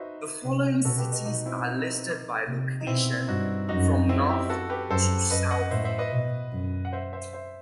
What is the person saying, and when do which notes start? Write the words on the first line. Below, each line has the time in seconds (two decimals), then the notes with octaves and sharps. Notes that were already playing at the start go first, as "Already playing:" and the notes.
The following cities are listed by location from north to south.
Already playing: D#4 F#4 B4 C5 D#5 E5
0.44 C3
0.84 B2 F#4 A4
0.98 G4 B4
1.12 B4 D#5
1.25 B2 D#4 F#4
1.46 C4 E4
1.66 D#4
2.47 C3
2.81 D#4
2.87 B2 C4 E4
3.28 G2 D#4 F#4
3.69 F#2 D#4 F#4
4.09 C4 E4
4.29 E4 G4
4.50 F#4 A4
4.70 G4 B4
4.90 F#2 A4 C5
5.31 F#2 B4 D#5
5.51 D#5 F#5
5.71 A2 C5 E5
5.84 C5 E5
5.98 B4 D#5
6.12 B2
6.52 F#2
6.85 F#5
6.93 C5 E5
7.13 C5 E5
7.33 C5 E5